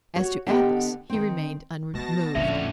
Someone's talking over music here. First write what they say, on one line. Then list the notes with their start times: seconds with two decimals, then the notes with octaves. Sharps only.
As to Athos, he remained unmoved.
0.16 F#4 C#5
0.47 D3 B3 E4 G4 D#5 G5
1.10 D#3 C4
1.94 B2 A3 A5 A#6
2.35 A#1 F2 A2 D3 C#4 E5